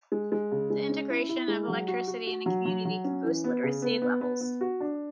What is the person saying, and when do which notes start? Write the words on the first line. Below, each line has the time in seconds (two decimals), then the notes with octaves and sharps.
The integration of electricity in a community can boost literacy levels.
0.12 G#3
0.32 G#3
0.51 C#3
0.70 G#3
0.89 C#4
1.10 E4
1.29 E4
1.48 G#3
1.68 F#3
1.88 F#4
2.08 F#4
2.27 F#4
2.46 F#3
2.65 F#3
2.85 F#3
3.04 C#4
3.24 E3
3.44 B3
3.63 C#3
3.82 B3
4.02 B3
4.21 B3
4.41 B3
4.61 F#4
4.80 D4